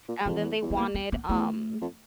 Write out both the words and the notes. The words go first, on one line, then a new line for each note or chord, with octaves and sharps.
and then they wanted, um,
A#2
F2 E3
E2
E2
B3
A#3
B3
B3
E2 A3
F2